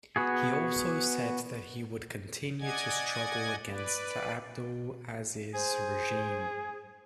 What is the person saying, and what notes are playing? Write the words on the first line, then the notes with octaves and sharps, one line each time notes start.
He also said that he would continue to struggle against Abdel Aziz's regime.
B3 F#4 G#4
D5 D#5 F#5 G#5 G#6
B4 D5
G#4 C5